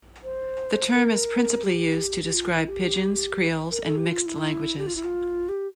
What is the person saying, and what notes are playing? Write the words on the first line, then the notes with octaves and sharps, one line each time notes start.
The term is principally used to describe pidgins, creoles, and mixed languages.
C5
A#4
G4
G4
F4
E4
G4
A#4
A4
G4
F4
E4
G4
F4
E4
F4
G4